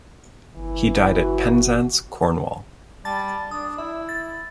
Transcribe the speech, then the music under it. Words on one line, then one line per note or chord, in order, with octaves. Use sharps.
He died at Penzance, Cornwall.
G1 E3
F#4
G3 A5 A6
D4 D#6
E4 E5
A6